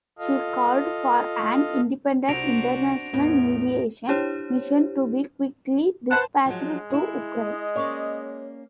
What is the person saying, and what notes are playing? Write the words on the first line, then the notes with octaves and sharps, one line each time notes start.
She called for an independent international mediation mission to be quickly dispatched to Ukraine.
F4 A4 D#5 F5
C2 D4 F#4 C5 A#6 D7 F7
E2 A2 B3
D4 E4 G4 C5 C#5
B4 C5 F#5 A5
F3 F#3 G#3
E4 G#4
D#5
A#3 C#4 C#5 D5